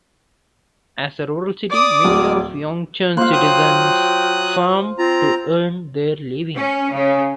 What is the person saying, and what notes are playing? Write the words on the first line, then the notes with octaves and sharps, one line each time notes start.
As a rural city, many of Yeongcheon's citizens farm to earn their living.
D5 D6 D#6
D1
A#3 F4 C5 F5 F#6
F#3 G5 D#6 F#6
C4 F4 A#5
C#4
C#3